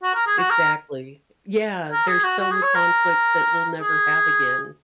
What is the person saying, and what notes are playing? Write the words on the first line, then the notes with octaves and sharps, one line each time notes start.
Exactly. Yeah. There's some conflicts that we'll never have again
F#4
A#4
G#4
F#4
A#4
A#4
G#4
F#4
F#4
G#4
C#5
A#4
G#4